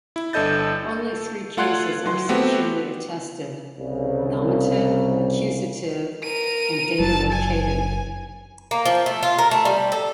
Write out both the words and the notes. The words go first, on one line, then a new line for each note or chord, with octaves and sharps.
Only three cases are securely attested: nominative, accusative, and dative-locative.
E4
G1 D4 A4 D#5 G6 A6
A4
A3 F4 F#5 C6 F#6 G#6
F#3 C6
A3 B3 C4 F#4 G4
C2 C#3
A#4 D#7
F#1 F#3 A5
G#5
A#3
F3
A3
F4
A#4
A3
G3
A4